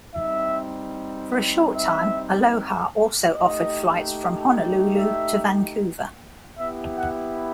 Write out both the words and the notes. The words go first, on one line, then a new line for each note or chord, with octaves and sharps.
For a short time Aloha also offered flights from Honolulu to Vancouver.
G3 C4 D#4 E5
E5
A3 D#4 G4 D#5
E5
B3 E4 G4 E5
F#5